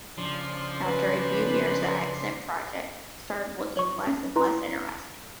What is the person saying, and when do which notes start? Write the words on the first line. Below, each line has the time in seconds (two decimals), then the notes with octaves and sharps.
After a few years the Accent project started looking less and less interesting.
0.18 C#3 F3 D4 C6
0.83 C#4 B4
3.77 C#5 C#6
4.07 C#4
4.36 E4 B4 A#5 C6